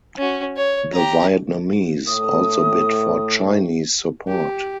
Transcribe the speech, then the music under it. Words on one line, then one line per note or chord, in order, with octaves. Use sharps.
The Vietnamese also bid for Chinese support.
C#4 F#4
C#5
G4 A#5
A2 A3 D#6
G4